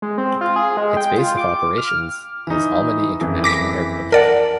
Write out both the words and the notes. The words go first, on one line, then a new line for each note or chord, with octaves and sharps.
Its base of operations is Almaty International Airport.
G#3
C4
F4
G#4
G#3
G5
F4
D6
F6
E3 D#4
F#1 F2 E3
D6 A#6 B6
A#4 D5 F#5 A5